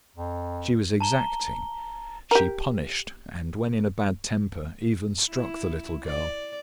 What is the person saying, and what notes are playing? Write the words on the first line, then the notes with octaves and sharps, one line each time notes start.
She was exacting; she punished, and, when in a bad temper, even struck the little girl.
F2
A5 A#5 G7
G4 A#4
E4
D5